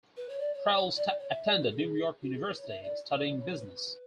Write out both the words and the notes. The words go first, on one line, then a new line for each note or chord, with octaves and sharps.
Prall attended New York University, studying business.
B4
C#5
D5
C#5
C#5
D5
D5
C#5
E5
D5
F#4
A4
G#4
F#4
G#4
B4
C#5
E5
D5
D5
C#5
B4